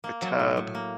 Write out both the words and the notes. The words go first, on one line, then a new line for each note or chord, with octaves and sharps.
the tub,
A#3
F#3
A2
A2
A#3